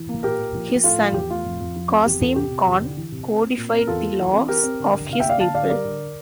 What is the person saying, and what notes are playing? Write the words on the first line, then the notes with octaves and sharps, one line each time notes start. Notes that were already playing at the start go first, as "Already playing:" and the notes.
His son, Kasym Khan codified the laws of his people.
Already playing: E3
A#3
A#2 G4 A#4
A#2
F3
F3
A2 F4 A4
F3
E2 G4
A3 F4
F2
F2
F3
C4
E2 G4
E2 F4 A4
C3 G4
C3
E2
D3
E3
C3
C4
C4
A#2
C4
A#4
E2 F4 A4
A#3
E3
C4
C4 G4 A#4
C4
D3
D3
C3 F5
E5 G5
A#3 D5 F5
D3 F5 A5
D3 D5 F5
G3 A#4 D5
D3